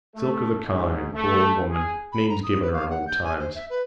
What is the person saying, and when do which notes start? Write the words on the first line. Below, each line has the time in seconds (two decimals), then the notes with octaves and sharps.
Silk of the kine and poor old woman, names given her in old times.
0.16 A3
0.64 G#2
1.14 A3
1.71 G#4
2.12 B5
2.30 A#5
2.43 D#6
2.62 B4
2.73 F5
2.90 F#5
3.07 G6
3.24 G#5
3.38 C5
3.55 E5
3.70 B4